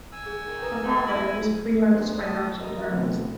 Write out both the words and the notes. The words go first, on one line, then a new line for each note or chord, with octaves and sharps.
Her father was a freelance financial journalist.
G#5 E6
G#4
D#3
B4 A#5 D#6
A3
E4 A#6 B6 D#7
A3 B3 D4 D#4 G#4 C5
A3 C#5 A5 D#6
F#3 A#4 D#5
B2 D3 E3 A3 B3 C4